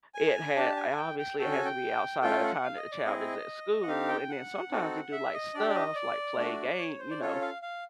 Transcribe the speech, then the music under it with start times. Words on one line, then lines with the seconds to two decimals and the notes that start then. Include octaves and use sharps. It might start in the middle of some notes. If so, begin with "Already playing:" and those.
it had uh, obviously, it has to be outside of the time that the child is at school, and then, sometimes, they do, like, stuff, like, play a game you know,
0.15 G#5
0.56 D4 G4 A5
0.77 G#5
0.97 G5
1.19 G5
1.39 C#4 F#4 A4 G5
1.52 G#5
1.65 G5
2.22 A3 C#4 F4 A4 G5
2.43 F#5
2.63 F5
2.77 D#5
2.92 D5
3.05 C4 E4 G#4 D#5
3.83 F#5
3.87 C4 D#4 G4 F5
4.09 G5
4.29 F#5
4.71 C4 D#4 F#4 A4
5.12 E5
5.34 D#5
5.54 D4 G4 D5
5.69 D5
5.74 D#5
5.95 D5
6.37 A3 D4 F#4
6.78 C#5
6.99 C5
7.11 D5
7.21 C#4 F4 A4 C#5
7.42 F5
7.62 F5